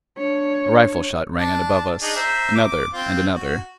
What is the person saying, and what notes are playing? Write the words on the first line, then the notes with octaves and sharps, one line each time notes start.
A rifle-shot rang out above us; another and another.
D4 C#5
D4 A5
D4 D#4 G#4
C5 E5 A#5
D6
C4 F4
F#4